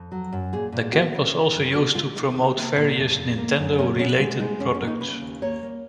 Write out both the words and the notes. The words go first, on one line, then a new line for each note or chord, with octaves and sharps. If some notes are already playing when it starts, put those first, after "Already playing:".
The camp was also used to promote various Nintendo-related products.
Already playing: F2
F#3
F#2
A#2 G#4
A#2
B3 F#4
C#3
B3
F#2
B3 F#4
G#3 F4
D#3 D#4
B3
A#3
A#2
F2
F2
A#3
F#2
A#3 C#4
B2 C#4
G#3
G#3 D#4
F#2 C#4
C#4
A#3
D#4
C#3 B4
D#2
A#3 C#5
A#3